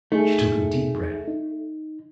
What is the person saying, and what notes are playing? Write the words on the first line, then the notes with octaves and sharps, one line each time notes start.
She took a deep breath.
A3 D#4 G#4
D#4